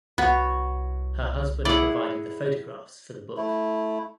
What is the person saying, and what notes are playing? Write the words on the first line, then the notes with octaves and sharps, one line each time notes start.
Her husband provided the photographs for the book.
C2 B3 F#4 C#5
E4 G#4 D5 F#5
A3 E4